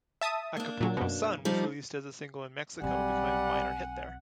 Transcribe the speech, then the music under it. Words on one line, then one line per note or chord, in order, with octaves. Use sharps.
"Acapulco Sun" was released as a single in Mexico, becoming a minor hit there.
E5 A5 D#6
A#3 D4
A#2 F#3
F#2 B2
F3 G3 D#4
B1 G3 C4 F#5 G#5